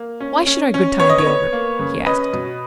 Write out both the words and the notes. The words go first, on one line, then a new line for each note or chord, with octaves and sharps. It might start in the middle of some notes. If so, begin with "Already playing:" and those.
"Why should our good time be over?" he asked.
Already playing: A#3
C#4
C#4
C#4
B3 C#5
D#5
C#5
B3
A#3
C#3
C#4 B4 D#5
B2